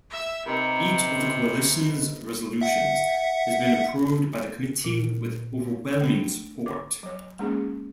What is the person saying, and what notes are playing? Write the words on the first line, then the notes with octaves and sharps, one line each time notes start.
Each of the Coalition's resolutions has been approved by the committee with overwhelming support.
E5 E6
C3 D#4 A#4 B4
E5 F#5
A#2
A3 D4
D6
F#3 C#5
G#3 A#3 C#4 D#4 G#4